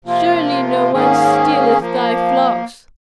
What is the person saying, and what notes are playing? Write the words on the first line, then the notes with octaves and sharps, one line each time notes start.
Surely no one stealeth thy flocks?
C3 F3 A#3 F4
G#2 D#3 A#3 C#4 G#4
F3 A#3